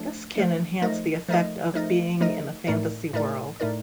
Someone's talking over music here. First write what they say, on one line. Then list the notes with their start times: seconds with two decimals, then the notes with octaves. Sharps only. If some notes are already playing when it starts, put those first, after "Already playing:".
This can enhance the effect of being in a fantasy world.
Already playing: F3 A3 D4
0.36 F3 A3 D4
0.82 F3 A3 D#4 A#4 D#5
1.29 F3 A3 D#4 A#4 D#5
1.74 F3 A3 D#4 A#4 D#5
2.21 F3 A3 D#4 A#4 D#5
2.67 A2 A3 D#4 A#4 D5
3.13 A2 A3 D#4 A#4 D5
3.60 A2 A3 D#4 A#4 D5